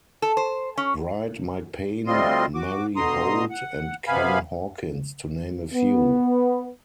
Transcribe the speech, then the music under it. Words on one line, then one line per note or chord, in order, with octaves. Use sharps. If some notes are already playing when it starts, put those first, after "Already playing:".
Wright, Mike Payne, Mary Holt and Ken Hawkins to name a few.
A4
C5
C#4
D2 G3 C4 F4 D#5 C6
F#4 D6
B2 D3 A#5 C6 D#6
F#5
F#2 C3 B3 F5 G#5 B5
B3